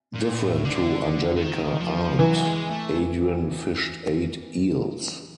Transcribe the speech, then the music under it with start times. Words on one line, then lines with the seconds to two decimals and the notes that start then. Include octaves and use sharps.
Different to Angelika Arndt, Adrian fished eight eels.
0.14 A#2
0.40 A2
0.65 D3
1.36 D3
1.43 D#3
1.81 F3
2.19 E3 F#3
2.46 G#3
2.71 A3